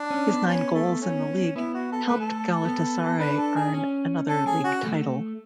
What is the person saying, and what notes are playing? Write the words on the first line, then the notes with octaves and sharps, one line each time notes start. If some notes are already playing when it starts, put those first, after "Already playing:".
His nine goals in the league helped Galatasaray earn another league title.
Already playing: D4
C#4
B3
C#4
A3
C#4
B3 E4
F#4
A4
A3 B4
A4
B3
D4 B4
A4
G#4
C#4
C#4 A4
G#4
F#4
A3